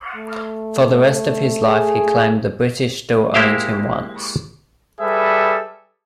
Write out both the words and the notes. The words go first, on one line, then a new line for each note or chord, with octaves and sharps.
For the rest of his life he claimed the British still owed him one.
A3
G#4
G#3 A#3 E4 G4 C5 F5
G3 G#4 A4 B4 E5